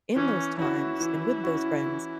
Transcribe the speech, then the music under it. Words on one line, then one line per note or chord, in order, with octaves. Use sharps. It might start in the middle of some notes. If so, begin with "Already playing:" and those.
in those times, and with those friends,
E3 C#4
C#4 E4 F#4
E3
C#4 F#4
E3